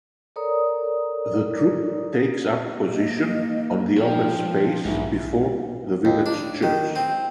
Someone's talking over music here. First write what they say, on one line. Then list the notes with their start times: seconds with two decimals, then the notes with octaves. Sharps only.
The troop takes up position on the open space before the village church.
0.36 A4 A#4 C#5 D5 A#5 D#6
2.93 A#3 D#5
3.97 F3 G5
4.85 B1 E2 G#2 E5
6.05 D#2
6.26 D4
6.63 D#3
6.96 C4